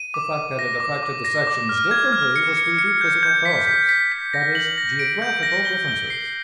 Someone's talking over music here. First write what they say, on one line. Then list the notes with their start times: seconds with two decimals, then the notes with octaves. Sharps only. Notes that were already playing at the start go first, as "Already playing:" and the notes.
The fact that it affected the sections differently was due to physical causes--that is, geographical differences.
Already playing: D#7
0.14 D6
0.37 D6
0.59 A#6
0.80 D6
1.03 D6
1.24 A#6
1.47 D6
1.69 F6
1.91 G#6
2.13 F6
2.36 C#7
2.57 C#7
2.79 C#7
3.01 G6
3.23 G6
3.45 B6
3.67 B6
3.89 B6
4.12 B6
4.33 A#6
4.55 F#7
4.78 A#6
4.99 D7
5.22 G6
5.43 A#6
5.65 G7
5.88 G7
6.10 C7